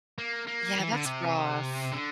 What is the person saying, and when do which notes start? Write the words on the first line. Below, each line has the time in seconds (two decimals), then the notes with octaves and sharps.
Yeah, that's rough.
0.18 A#3
0.47 A#3
0.79 E3
0.92 D3
1.05 C3
1.92 D3